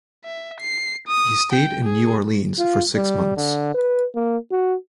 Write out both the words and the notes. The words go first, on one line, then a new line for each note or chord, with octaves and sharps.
He stayed in New Orleans for six months.
E5
C7
D#6
G5
G#4
F4
G3
D3
B4
A#3
F#4